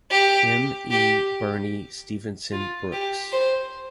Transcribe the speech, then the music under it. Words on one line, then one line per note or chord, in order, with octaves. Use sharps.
M. E. Birnie Stephenson-Brooks.
G4
G4
F4
G4
C5